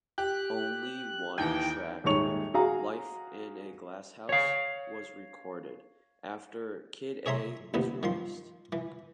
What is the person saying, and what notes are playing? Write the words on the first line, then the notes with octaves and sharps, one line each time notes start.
Only one track, "Life in a Glasshouse", was recorded after "Kid A" was released.
G4 F#6
D#2 D#3 E3 G5
D#1 G#2 D#4 C#5 C#6 F7
F#4 G#4 F5 A#5
C#5 F5
G#4 C#5 E5 A#5 C6
A1 D#2 C3 B3
D#3 F3 C6
E3